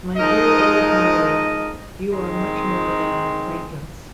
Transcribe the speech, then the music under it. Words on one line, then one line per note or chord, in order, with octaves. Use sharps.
My dear old Marley, you are much more than an acquaintance.
F3 G#3 D#4 A#4 D#5
D#3 G#3 C4